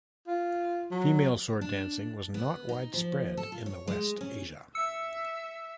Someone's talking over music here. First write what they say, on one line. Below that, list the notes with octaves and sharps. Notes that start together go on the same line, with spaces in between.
Female sword dancing was not widespread in the West Asia.
F4
F#3
D4
B3
D#4
F3
A4
F4
C#5
G#3
C#4
E5 E6 C#7